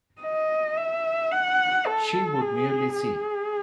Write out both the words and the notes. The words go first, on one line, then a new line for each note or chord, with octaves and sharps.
She would merely see.
D#5
E5
F#5
A4
G#4
G#4